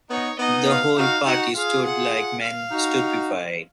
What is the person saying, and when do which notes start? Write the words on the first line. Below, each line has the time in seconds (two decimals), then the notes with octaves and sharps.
The whole party stood like men stupefied.
0.10 B3 D#4 C#5
0.39 B3 D#4 D#5
0.68 F5
0.98 D#4 F#4 F5
1.26 D#4 F#4 F#5
1.56 F4 G#4 F5
1.85 F#5
2.13 F#5
2.43 F5
2.72 D#4 F#4